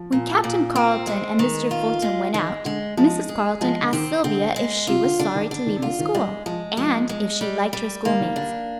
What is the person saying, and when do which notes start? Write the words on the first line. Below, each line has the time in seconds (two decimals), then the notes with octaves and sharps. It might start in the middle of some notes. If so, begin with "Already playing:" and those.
When Captain Carleton and Mr. Fulton went out Mrs. Carleton asked Sylvia if she was sorry to leave the school, and if she liked her schoolmates.
Already playing: F3
0.12 A#2
0.44 A#2
0.76 C4
1.07 G#3
1.39 D#3
1.71 F4
2.02 G#3
2.34 D#3 G#3
2.65 D3 G#3
2.97 F3 G#3
3.29 G#4
3.61 F3 G#3
3.81 D3
3.93 D#3 C4
4.24 D3 C4
4.56 G#3
4.87 C3 F4
5.03 D3
5.19 D3 D4
5.35 D#3
5.51 D3 D4
5.66 D#3
5.76 C3
5.82 D3 F4
5.99 D#3
6.14 G3 G#3
6.46 F3 G#3
6.77 F3 G#3
7.09 G#3
7.41 G3
7.73 G3
8.05 D#3 A#3
8.20 D#3
8.36 D3 D4